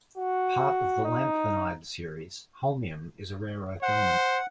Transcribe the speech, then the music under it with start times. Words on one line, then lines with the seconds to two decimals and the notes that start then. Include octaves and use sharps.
Part of the lanthanide series, holmium is a rare earth element.
0.18 F#4
1.05 D#4
3.83 C5 F#5